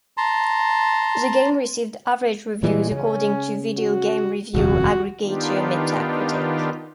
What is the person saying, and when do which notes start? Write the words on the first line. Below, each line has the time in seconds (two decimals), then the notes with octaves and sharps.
The game received "average" reviews according to video game review aggregator Metacritic.
0.17 A5 A#5 C6
2.63 A#2 E3 G3 G#3
2.91 C#3 C#4
3.78 F#4
4.54 D#1 C2 F2 F#4
5.23 D#3 B3 D4 D#4 F4 G4